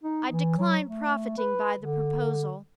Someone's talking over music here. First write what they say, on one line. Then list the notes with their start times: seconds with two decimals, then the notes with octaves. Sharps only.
I decline profiting by the proposal.
0.04 D#4
0.31 E3
0.57 F#3
0.87 A3
1.38 B4
1.80 D3